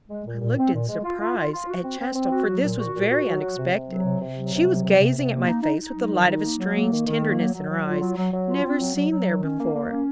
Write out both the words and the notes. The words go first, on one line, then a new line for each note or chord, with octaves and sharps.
I looked in surprise at Chastel, for this was very unexpected: she was gazing at my face with the light of a strange tenderness in her eyes, never seen there before.
G#3
A#2
A#2
C4
A#2
G#3
F4
F4
F4
F4
F#4
C4
C4
C4
F#4
F#3
A#2
F#4
A#2
F#4
F#3
F#4
C3
C3
F#3
C3
C3
F#3
C3
F#3
C3
C3
C3
A#3
D#4
D#4
D#4
F#3
D#3
D#4
A#3
F#3
A#3
D#3
D#3
A#3
F#3
F#3
F#3
F4
F#3
F#3
F#3
F4
C4
F#3
F#3
F#3
D#3
C#4
A#3
A#3
C#4